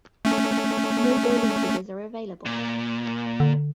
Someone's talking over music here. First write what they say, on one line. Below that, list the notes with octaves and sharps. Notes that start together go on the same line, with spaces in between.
No bowling figures are available.
A3 C#4
A#2
D3